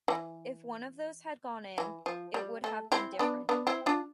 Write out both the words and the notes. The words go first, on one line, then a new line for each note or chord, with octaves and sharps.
If one of those had gone in it would have been different.
E3
E3
F3
G3
A3
C4 E4
B3 D4
B3 D4
C4 E4
D4 F4